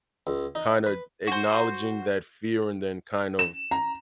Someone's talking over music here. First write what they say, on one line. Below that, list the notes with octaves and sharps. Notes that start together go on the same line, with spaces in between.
kinda acknowledging that fear and then kind of
C#2
D#4
B4
F#4 C5
E7
A#5